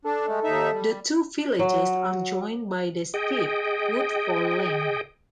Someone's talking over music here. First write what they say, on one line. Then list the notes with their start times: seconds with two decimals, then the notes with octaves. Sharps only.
The two villages are joined by the steep Woodfall Lane.
0.05 D4 A4
0.27 G#3 A3
0.44 D#2 D#4 E5
0.72 G3
1.59 F#3
3.14 G#4 D#5 G5